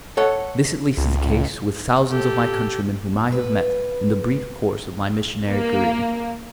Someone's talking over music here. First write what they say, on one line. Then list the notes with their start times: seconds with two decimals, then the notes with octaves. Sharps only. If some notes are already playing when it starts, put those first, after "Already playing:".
This, at least, is the case with thousands of my countrymen whom I have met in the brief course of my missionary career.
0.17 A4 C#5 F#5
0.97 C#2
2.09 G4 A4
3.32 B4
5.49 A#3